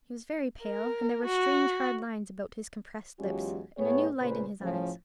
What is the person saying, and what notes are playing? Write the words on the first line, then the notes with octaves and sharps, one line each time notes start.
He was very pale, and there were strange hard lines about his compressed lips, and a new light in his eyes.
A#4
F#4
E2 F#3 G#3 C#4 F4 G4
A2 B3 G#4 C#5
A#2 C#3 B4 C5
A2 C#3 F3